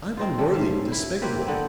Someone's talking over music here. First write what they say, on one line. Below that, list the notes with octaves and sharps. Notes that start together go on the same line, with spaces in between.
I'm unworthy, despicable.
C4 D#4 F4
C#3 G3 A4
G#2 E5 F5
E4
A#3 C4 G4 B4
D3 B3 C4